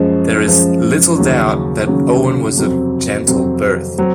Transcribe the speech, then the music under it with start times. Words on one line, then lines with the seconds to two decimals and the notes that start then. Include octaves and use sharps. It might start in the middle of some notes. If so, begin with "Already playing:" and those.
There is little doubt that Owen was of gentle birth.
Already playing: F#2 F3 G#3
0.46 F#2 F3 G#3
1.16 D#2 C#3 F#3 C#4
1.86 D#2 C#3 F#3 C#4
2.57 F2 C3 F#3 C4
3.27 F2 C3 F#3 C4
3.98 F#3 C4